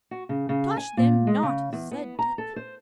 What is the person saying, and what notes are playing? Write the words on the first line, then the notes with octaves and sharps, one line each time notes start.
"Touch them not!" said Death.
F#4
C#3
C#3
G#5
A#2
G#3
C#3
E2
B3
A#5
A4
C5